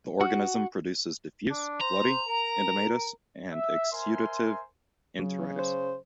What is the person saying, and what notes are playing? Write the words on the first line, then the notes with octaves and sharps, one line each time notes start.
The organism produces diffuse, bloody, edematous, and exudative enteritis.
F#4
D4
C5 A#5
A#4
E5
A#4 C5 E5 G#5 C6
C#3 F#3
C5